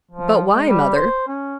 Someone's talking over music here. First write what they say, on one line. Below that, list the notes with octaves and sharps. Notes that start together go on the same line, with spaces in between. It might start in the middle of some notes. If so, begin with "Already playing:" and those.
"But why, mother?"
F3
G#3
G3
C5
C#4